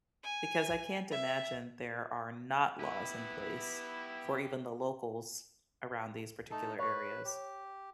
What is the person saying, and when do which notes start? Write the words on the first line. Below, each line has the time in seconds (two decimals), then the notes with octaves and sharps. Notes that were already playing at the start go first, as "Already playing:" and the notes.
because I can't imagine there are not laws in place for even the locals around these particular areas.
0.23 G#5
1.11 E5
2.79 B3 E4 G4 B4 E5
6.51 A3 D#4 A4
6.79 B4 C#5
7.25 G4